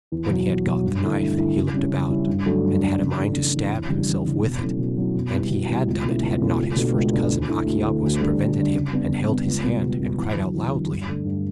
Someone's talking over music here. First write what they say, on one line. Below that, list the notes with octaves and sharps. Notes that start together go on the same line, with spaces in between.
When he had got the knife, he looked about, and had a mind to stab himself with it; and he had done it, had not his first cousin, Achiabus, prevented him, and held his hand, and cried out loudly.
E2
B2 F#3
E2
B2 F#3
G2
D3 A3 E4
G2
D3 A3 E4
C#3
G3 C#4 E4
C#3
G3 C#4 E4
G2
D3 F#3 A3 D4
G2
D3 F#3 A3 D4
C#3
E3 A3 D4
C#3
E3 A3 D4
E2
C#3 E3 G3 D4
E2
C#3 E3 G3 D4
B2
F#3 A3 C#4 E4
B2
F#3 A3 C#4 E4
B2
G3 B3 E4
B2
G3 B3 E4
C#2
B2 A3 C#4 E4
C#2
B2 A3 C#4 E4
C#2
B2 A3 D4
C#2
B2 A3 D4
D2
D3 A3 E4
D2
D3 A3 E4
D2
D3 G3 D4
D2
D3 G3 D4
C#3
G3 B3 D4
C#3
G3 B3 D4
C#2
B2 G3 B3
C#2
B2 G3 B3
E2
D3 F#3
E2
D3 F#3
G2
D3 A3 D4
G2